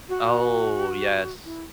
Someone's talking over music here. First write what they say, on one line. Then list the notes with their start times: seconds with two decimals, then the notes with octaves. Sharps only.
Oh, yes.
0.09 F#4
1.45 E4